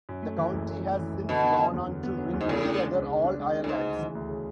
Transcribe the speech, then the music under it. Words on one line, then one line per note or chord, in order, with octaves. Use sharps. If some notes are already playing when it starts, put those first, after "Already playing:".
The county has since gone on to win three other All-Irelands.
F#2
A3
E3
F#1
F#2
A3
E3
F#1
B2 D3
B3
F#3
E2
D3
B3
F#3
E2
G#2
A2 C#3
D4
G#3
C#2
C#3
D4
G#3
C#2
A2
G#2 C#3
D2
E3
D2
C#3